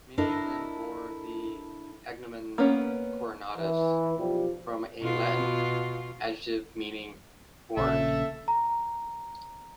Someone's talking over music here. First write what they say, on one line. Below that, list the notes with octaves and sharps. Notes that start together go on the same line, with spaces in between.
Many of them bore the agnomen "Cornutus", from a Latin adjective meaning "horned".
D4 E4 A4 A#4 D#5
A#3 B3 C#4
E3
B1 F3 G3
B2 F4
A#1 C#3 A4 E5
A#5